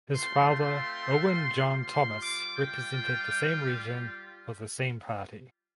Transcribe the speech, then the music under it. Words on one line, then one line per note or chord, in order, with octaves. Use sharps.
His father Owen John Thomas represented the same region for the same party.
A3 C4 F4 C6
C6
G3 F4
C6
D6
G5
G3 F4